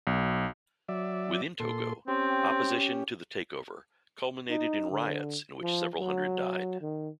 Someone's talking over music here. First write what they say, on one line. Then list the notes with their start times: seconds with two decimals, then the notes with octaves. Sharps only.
Within Togo, opposition to the takeover culminated in riots in which several hundred died.
0.07 B1
0.88 F#3 D5 E5
1.60 A#2 A4 C6
2.08 C4 C#4 G4
4.50 D#4
4.91 D3
5.61 F3
5.99 F#3
6.81 D#3